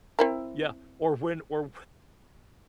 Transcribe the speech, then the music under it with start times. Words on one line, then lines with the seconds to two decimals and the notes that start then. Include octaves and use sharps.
yeah, or when or
0.19 C4 E4 A#4